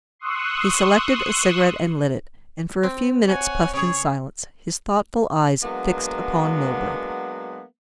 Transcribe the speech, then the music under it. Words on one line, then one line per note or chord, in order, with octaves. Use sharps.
He selected a cigarette and lit it, and for a few minutes puffed in silence, his thoughtful eyes fixed upon Milburgh.
C6 C#6 D#6 E6 F#6
C4
C#5 F#5 G#5
C#3 G#4 C#5
F#3 G#3 A#3 B3 D4